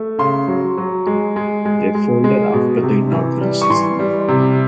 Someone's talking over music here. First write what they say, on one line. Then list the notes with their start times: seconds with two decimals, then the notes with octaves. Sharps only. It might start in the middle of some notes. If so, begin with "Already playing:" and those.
They folded after the inaugural season.
Already playing: A3
0.19 C#3 C6
0.48 F#3
0.78 F#3
1.07 G#3
1.36 G#3
1.65 G#3
1.95 G#3
2.24 G#3
2.53 B2
2.83 C3
3.12 E3
3.41 G3
3.62 C#6
3.70 E3 C6
3.99 G3
4.28 C3